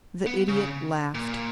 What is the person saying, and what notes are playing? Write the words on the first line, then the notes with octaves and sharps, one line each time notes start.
The Idiot laughed.
B3
C#3
A#2